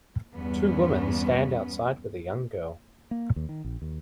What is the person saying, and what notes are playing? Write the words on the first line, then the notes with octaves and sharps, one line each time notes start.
Two women stand outside with a young girl.
E2 G2 G3 B3 C#4
A#3
D#2
D#3
A#1
D#2